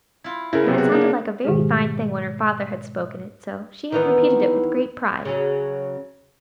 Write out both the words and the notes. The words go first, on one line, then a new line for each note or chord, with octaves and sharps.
It had sounded like a very fine thing when her father had spoken it, so she had repeated it with great pride.
E4 F4
C#3 E4 A#4
C3 F#3 B3
F#4
A#3 D4
G#2 B2 D#3 G#3 G4 G#4
D#3 E3 B3
C#3 F#3